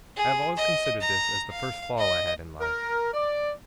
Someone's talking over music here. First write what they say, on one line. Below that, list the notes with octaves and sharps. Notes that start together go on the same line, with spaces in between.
I have always considered this as the first fall I had in life.
G#4
D#5
A#5
F5
D#5
A#4
D5